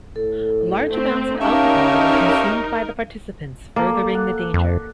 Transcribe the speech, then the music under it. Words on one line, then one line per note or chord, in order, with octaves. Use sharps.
Large amounts of alcohol were consumed by the participants furthering the danger.
A2 A4
A3 C4
C#4 D#4 G4 A#4 C#5 E5 F5 A5
A#3 A4 D5
F#5
F2